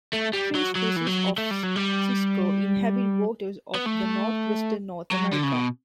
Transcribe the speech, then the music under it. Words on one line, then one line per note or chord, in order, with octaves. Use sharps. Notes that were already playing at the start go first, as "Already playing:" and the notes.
Three species of cisco inhabit waters of the northwestern North America.
A3
G3
F#3
F#3
E3
F#3
A3
G3
F#3
G3
B3
A3
F#3
D3
C#3
B2